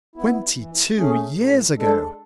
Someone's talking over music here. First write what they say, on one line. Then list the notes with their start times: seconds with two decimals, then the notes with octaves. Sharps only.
Twenty-two years ago!
0.16 B3 E4
0.56 E3
0.96 A3 C#4 G#4
1.36 A2
1.77 G#3 D4 A4